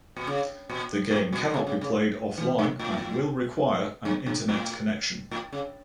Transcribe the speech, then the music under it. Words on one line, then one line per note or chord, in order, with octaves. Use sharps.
The game cannot be played offline and will require an internet connection.
A#2
C#3
A#2
A2
A#2
D3
C#3
C#3
C#3
E3
G2
A2
G2
G2
A2
A2
C#3